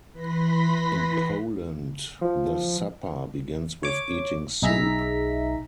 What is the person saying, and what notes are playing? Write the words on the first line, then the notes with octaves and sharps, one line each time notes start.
In Poland the supper begins with eating soup.
E3 B4 B5 C6 A#6 B6
F3
C#5 D6
B1 D#4 G#4 E5 A#5 B6